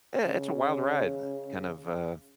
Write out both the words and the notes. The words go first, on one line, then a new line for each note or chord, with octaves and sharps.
eh it's a wild ride kind of, uh,
C#3